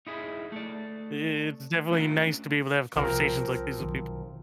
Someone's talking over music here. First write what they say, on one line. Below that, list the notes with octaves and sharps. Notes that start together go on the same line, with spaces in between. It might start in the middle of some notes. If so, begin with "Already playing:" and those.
I i it's definitely nice to be able to have conversations like these with people.
D#4 E4 G#4
A3 D5
A3 B3 C#4 D4 F4 A#4
C2 F3 C4 A#4
B1 D#3 F#3